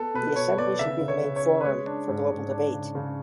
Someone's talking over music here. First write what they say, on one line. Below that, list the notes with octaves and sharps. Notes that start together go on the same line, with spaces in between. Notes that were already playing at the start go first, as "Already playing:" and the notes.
The Assembly should be the main forum for global debate.
Already playing: B3 A4
B2 B4
B2 C#5
B3 D5
C#3 E5
C#3
C#5
C#3
C#5
C#4
B4
G#3 C#5
D4
G#2
G#2
D4
C#3
C#3